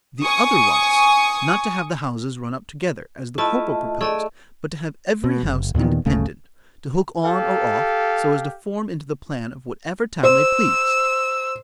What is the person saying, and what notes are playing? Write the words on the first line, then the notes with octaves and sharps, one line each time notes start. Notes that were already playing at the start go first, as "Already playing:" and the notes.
The other was, not to have the houses run up together, as the corporal proposed, but to have every house independent, to hook on, or off, so as to form into the plan of whatever town they pleased.
G#5 C#6 D#6
A3 E4 F4 D#5 A5
A3 G#4 D5 D#5
B2
F#1
D#2 A#2 D#3 B3
G1 D2 C#3 A3
G4 A4 F5
C5 E6